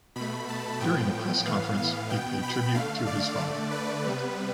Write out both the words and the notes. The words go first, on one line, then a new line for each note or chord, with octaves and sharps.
During a press conference, he paid tribute to his father.
B2 A3 B5
A5
A2 F3 B3 G5
A2 E3 B3 F5
F5
B2 B3 G5
B5
D3 A3 F5
D5
D3 A3
B4
C3 G3 B3